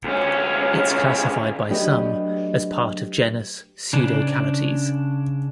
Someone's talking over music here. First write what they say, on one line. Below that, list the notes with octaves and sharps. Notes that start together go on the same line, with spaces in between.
It's classified by some as part of genus "Pseudocalotes".
D2 C#4
F#3 A3 D4 G4 B4 D#5
C#3 D4